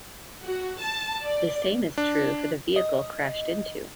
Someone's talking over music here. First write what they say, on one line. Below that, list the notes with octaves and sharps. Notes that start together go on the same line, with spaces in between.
The same is true for the vehicle crashed into.
F#4
A5
D5
D4
D#5